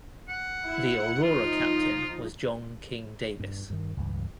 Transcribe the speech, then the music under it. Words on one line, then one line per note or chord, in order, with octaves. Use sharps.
The "Aurora" captain was John King Davis.
F#5
E4
F3 D#4 F4
G2
G2 D#3
C#2 G2 E3